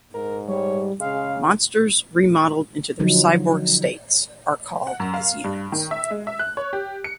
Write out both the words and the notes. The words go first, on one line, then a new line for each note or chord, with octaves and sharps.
Monsters remodeled into their cyborg states are called as units.
G#2 A#4
G3 C#5
C#3 G#3 F5
D3 F3 F#3 D#4
F#5
F#2
F5
G2
D#3
E5
G#3
E5
F#6
C#5
G4
C#7